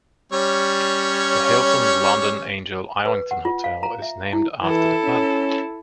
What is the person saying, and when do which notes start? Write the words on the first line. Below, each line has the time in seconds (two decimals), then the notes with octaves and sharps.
The Hilton London Angel Islington Hotel is named after the pub.
0.32 G3 C#4 C#5
3.06 B4
3.31 F#5
3.45 F4
3.64 F5
3.83 A#5
4.02 E5
4.33 E4
4.62 E3 E4 A4
5.04 C#4